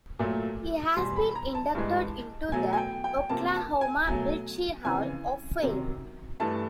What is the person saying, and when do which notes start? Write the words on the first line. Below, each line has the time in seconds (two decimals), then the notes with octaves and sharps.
He has been inducted into the Oklahoma Military Hall of Fame.
0.19 A#2 F#3 A3
0.97 E2 B2 G3 C6
1.16 B5
1.35 A#5
1.55 A5
1.75 G2 E3 G#3
2.52 E2 B2 F#3 A3 G#5
2.73 G#5
2.77 G5
3.04 G5
3.29 C3 F3 A#3 A5
3.56 A5
3.81 G#5
4.07 B2 F#3 A3 G#5
4.85 F2 C#3 E3 G#5
5.62 C3 D#3 F#3
6.40 G2 E3 A3 A5